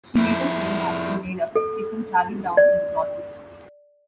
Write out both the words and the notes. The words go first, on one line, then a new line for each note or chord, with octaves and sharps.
She later came back and made up, kissing Charlie Brown in the process.
F2 E4
A4
D5